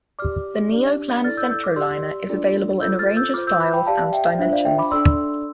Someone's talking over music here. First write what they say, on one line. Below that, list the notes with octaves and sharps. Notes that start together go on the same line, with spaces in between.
The Neoplan Centroliner is available in a range of styles and dimensions.
G4 D5 D6 F6
D4 G4 D5
E4 A4 D5 F6 A6
E6 G6
E6 G6
D6 F6
G4 D5 C6 E6
D4 F4 A4 D5
F4 A4 C5 E6 G6
F6 A6
E6 G6
F4 C5 D6 F6
E6 G6
B5 D6
G5 B5
G4 D5 F5 A5
E5 G5
D4 F4 C5 E5
D5 F5
E5 G5
B5 D6
D4 A4 D5 C6 E6